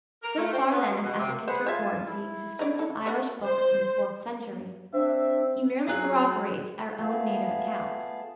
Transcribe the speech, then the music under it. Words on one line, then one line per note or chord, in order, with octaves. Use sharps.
So far then as Ethicus records the existence of Irish books in the fourth century, he merely corroborates our own native accounts.
A#4
A3
C4
B3
B2
B2
C3
G#4 B4 C5 F#5
F4 C5 E5 F5 G#5 A5
E4
D#4 C#5 D5
A4
B3 D4 F#4
C5
C4 D4 E5
F#3 G#4 F#6
A3 B3 F4 G#4 F5 A5